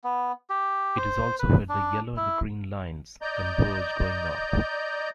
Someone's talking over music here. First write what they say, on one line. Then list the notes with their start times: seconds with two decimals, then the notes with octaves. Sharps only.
It is also where the Yellow and Green lines converge going north.
0.04 B3
0.50 G4
0.97 C5
1.39 B4
1.69 D4
2.17 E4
3.22 D5 D#5 A#5 G6